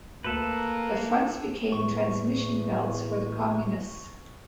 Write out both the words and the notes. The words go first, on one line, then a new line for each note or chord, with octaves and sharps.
The fronts became transmission belts for the Communists...
D2 A#3 A4 B4
E2 A2 C#6